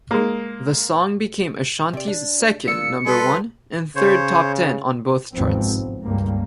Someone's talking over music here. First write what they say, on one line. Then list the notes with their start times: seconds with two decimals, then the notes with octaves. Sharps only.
The song became Ashanti's second number one and third top ten on both charts.
0.11 G#3 A#3
1.93 C3 D5
2.08 D4
2.68 A#3 D4 F4 E6 C#7
3.06 G3 A4 B4 C6
3.96 C#3 C5 C#5
5.34 G1 D#2 G#2 F3 B3 C4
5.65 B1
6.03 C#2 G2 G3 A#3